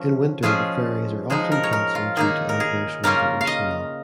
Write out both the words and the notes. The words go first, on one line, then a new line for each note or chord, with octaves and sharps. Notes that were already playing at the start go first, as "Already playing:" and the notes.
In winter the ferries are often cancelled due to adverse weather or swell.
Already playing: F3 C#4
F3 G#3 C#4 F4 G#4
F3 G#3 D#4 G#4
A#4
C#5
A#4
F4
D#3 A#3 D#4 G#4
A#4
G#4
C#3 A#3 C#4 F4 A#4
F5
D#5